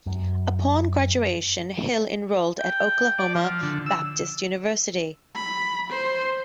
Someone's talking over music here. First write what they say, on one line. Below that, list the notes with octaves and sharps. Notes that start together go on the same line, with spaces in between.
Upon graduation, Hill enrolled at Oklahoma Baptist University.
F#2
G5
D5
F3
D3
E6
B5
C5